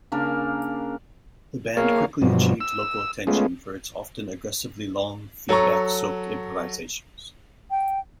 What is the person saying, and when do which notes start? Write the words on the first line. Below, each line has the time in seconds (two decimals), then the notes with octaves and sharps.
The band quickly achieved local attention for its often aggressively long, feedback-soaked improvisations.
0.12 C#3 A#3 D4 A#4
1.77 A#3 G#4 A#4 C#5 F5
2.22 G2 B2 F3 F#3
2.61 E6
3.27 G#3 A3 B3 C#4 F4 G#4
5.49 F#3 A4 A#5 C#6
7.71 G5